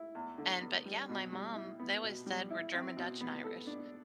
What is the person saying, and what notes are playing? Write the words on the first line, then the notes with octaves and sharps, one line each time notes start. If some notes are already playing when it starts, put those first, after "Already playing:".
And but, yeah, my mom they always said we're German, Dutch, and Irish,
Already playing: E4
E2
D3
B3
G3
B2
G3
E4
B3
B2
G3
E4
C4
B2
B3
A4
D4